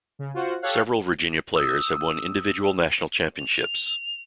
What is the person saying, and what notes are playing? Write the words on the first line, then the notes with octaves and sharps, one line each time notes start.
Several Virginia players have won individual national championships.
C#3
F4 F#4 C5 F#5
G4 A4 C#5 F5 F#6
D#6 E6
F7